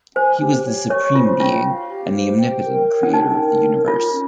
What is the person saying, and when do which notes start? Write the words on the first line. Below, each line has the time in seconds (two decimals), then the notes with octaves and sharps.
He was the supreme being and the omnipotent creator of the universe.
0.16 C5 G#5
0.41 G4
0.66 C#5
0.90 C#5 C#6
1.15 F4 C5
1.40 F4 G5
1.65 F5
1.90 G4
2.14 C5
2.39 G5
2.64 A#4
2.89 C#5
3.03 C#4
3.13 D#4 G5
3.39 A#4
3.63 C#5
3.88 F4 A#4
4.13 C#4